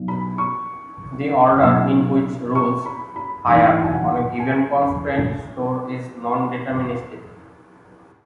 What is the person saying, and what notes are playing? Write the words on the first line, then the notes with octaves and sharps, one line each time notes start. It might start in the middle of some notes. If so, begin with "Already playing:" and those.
The order in which rules "fire" on a given constraint store is non-deterministic.
Already playing: B1 B2
B5
C#6
B1 B2 E6
C#6
B5
B5
A1 G#2 E3 G#5
G#5
F#5
G#5